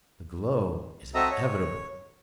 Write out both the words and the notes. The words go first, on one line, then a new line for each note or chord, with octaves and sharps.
The globe is inevitable.
C4 F#4 A4 D#5 E5 A#5
C#5